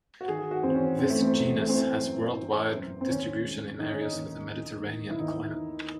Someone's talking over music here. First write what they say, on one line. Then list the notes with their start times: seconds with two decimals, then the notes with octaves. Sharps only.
This genus has worldwide distribution in areas with a Mediterranean climate.
0.21 F#4
0.28 D#3 G#4
0.51 F#4
0.63 E2 C4
0.75 C#4
0.98 E2 C4
1.10 A3
1.21 C4
1.33 E2
1.62 A3
1.68 E3 C4
2.04 F#2
2.39 E3
2.74 F#2
3.01 C4
3.09 D#2 C#4
3.44 G#3
3.79 D#2 D#4
3.91 C#4
4.01 D#4
4.14 D#2
4.50 D#3
4.85 D#3
5.10 E4
5.19 D#2 D#4
5.55 D#3